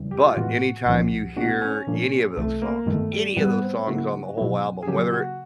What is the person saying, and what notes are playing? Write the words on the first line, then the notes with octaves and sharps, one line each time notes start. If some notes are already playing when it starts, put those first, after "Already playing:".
but anytime you hear any of those songs any of those songs on the whole album, whether it
Already playing: E2 C#3 E3 G3
G4
F4
A2 E3 G#3 B3 F#4
C2 A#2 F3 G#3 C#4
B2 G#3 B3 D4 F#4
C#4
A#2 F3 A#3 D4
C2 C3 E3 A3
A#3
G2 D#3 G#3 A3 B3 E4
G3
G#2 E3 G3 B3
C4
C#3 F#3 A#3 C#4 E4 F#4
B2 F#3 B3 E4
G#4
C#3 F#3 A#3 G4
F#4